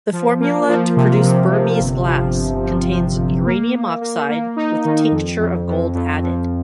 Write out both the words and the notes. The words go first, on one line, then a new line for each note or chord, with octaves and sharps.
The formula to produce Burmese Glass contains uranium oxide with tincture of gold added.
F3
A#3
F3
C3
C3
C3
G1
F3
G1
F3
F3
G1
A#3
A#3
A#3
A#3
D#4
D#3
F2
F2
F2
F2
F2